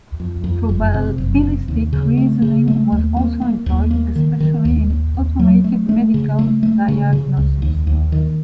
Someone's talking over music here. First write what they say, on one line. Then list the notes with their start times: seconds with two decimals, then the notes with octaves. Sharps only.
Probabilistic reasoning was also employed, especially in automated medical diagnosis.
0.20 F2
0.44 F2
0.69 F#1
0.94 C3
1.18 F#1
1.43 C3
1.68 D#2
1.93 C#3
2.17 A3
2.42 C#3
2.68 A3
2.92 D#2
3.17 A#3
3.41 A#3
3.66 D#2
3.91 A#3
4.16 D#3
4.40 D#3
4.65 D#2
4.90 D#2
5.15 D#2
5.39 F#3
5.64 A3
5.89 A3
6.14 C#3
6.39 A3
6.63 A3
6.88 C#3
7.13 C#3
7.37 C#2
7.62 D#2
7.87 D#2
8.12 D#3